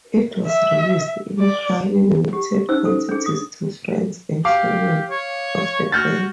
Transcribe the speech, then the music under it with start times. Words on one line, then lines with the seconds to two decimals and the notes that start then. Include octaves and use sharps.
It was released in highly limited quantities to friends and family of the band.
0.46 E5
1.39 D5
2.33 G4
2.69 C#4 D#4 C5 E6
2.85 A4
3.09 D4 G#4
3.26 D#6
4.45 G4 F5 D6
5.10 C#5
5.92 F#4 F6 G6 A6